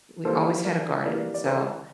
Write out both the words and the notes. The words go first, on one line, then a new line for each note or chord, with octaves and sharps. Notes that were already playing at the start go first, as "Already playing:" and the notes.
We always had a garden, so,
E3 G3 A#3 A4 C5
A#4 D5
E3 G3 A#3 A#4 D5
D5
A4 C5